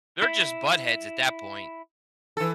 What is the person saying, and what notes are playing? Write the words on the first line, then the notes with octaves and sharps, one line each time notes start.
they're just buttheads at that point.
E4 E5
E3 A4